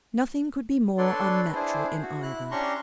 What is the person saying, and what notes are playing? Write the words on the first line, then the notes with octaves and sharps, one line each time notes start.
Nothing could be more unnatural in either.
D4 A4 B4 C#5 D5 C6
D4 E4 G#4 C5
F#4
E4 F#6
C#4 D4 G4 A#5 C6 C#6